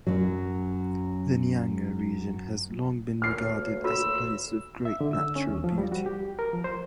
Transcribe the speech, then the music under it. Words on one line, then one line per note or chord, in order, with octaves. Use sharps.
The Nyanga region has long been regarded as a place of great natural beauty.
F#2 F#3
D2 A#3 C#5 F6 C7
F#4 A4 B5 E6
E5
D3
E6
C#4
D#2
F3
G3
F#4
G4
A#4
F3
C5